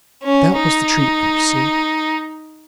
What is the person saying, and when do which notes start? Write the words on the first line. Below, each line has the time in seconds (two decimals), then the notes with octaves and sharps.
'That was the treatment, you see.
0.23 C#4
0.57 D#4